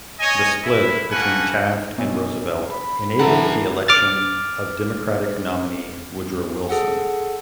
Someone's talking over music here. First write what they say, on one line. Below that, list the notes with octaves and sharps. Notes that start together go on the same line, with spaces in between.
The split between Taft and Roosevelt enabled the election of Democratic nominee Woodrow Wilson.
C#5 D#5 G#5
E4
A#3 F#4 A4 B4 F#5 G#5
B1
B5
E3 A4 A#4 F#5 A#5
D6 F6 A6
G#4 A4 F#5